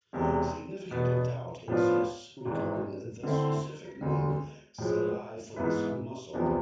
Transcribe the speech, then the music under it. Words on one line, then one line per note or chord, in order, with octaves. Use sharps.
Significant doubt exists regarding the specific name "sallei" for this mussel.
E1 E2 C3 G#3
E2 B2 B3
A2 F3 B3 D4 F4
G#1 G#2 E3
D3 A3 C4 E4
E1 D2 D3
A2 F3 G#3
G#2 E3 B3 E4 B4
E2 C3 F3 B3 D4